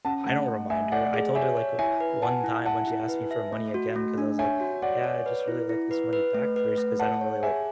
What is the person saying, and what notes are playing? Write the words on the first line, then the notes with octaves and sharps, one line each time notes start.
I don't remind her. I told her, like, one time when she asked me for money again, 'cause I was, like, "Yeah, I'd just really, like, this money back first, 'cause I don't really, like,
C#4 F#5 A5
A3 F#5 A5
A3
A3 E5 G#5
A3 D5 F#5
G#4
C#5 E5 G#5
C#5
E4 E5 G#5
B4
F#5 G#5 A5
E4
E4 F#5 A5
E4
B4
E5
A3
F#4
A3
D4
C#5 E5 G#5
F#4
C#5 D5 F#5
C#5
B4
E4
E4
B4
B4
A3
B4
A3
C#5 F#5 A5
C#5
G#4 E5 G#5